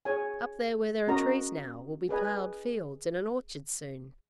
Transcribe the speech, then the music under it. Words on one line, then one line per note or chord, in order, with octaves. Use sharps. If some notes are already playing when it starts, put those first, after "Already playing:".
Up there where there are trees now will be ploughed fields and an orchard soon.
G#4 C#5 G#5
C#4 F#4 A#4 D#5 A#5
G#4 B4 D#5 G#5